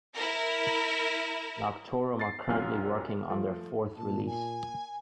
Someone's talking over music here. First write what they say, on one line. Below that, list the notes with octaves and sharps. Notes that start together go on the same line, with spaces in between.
Noctorum are currently working on their fourth release.
E4 A#4
A6 C7
C2 F#2 F4 G5 G#5 F6
F3 A3
A#2 A5
G#5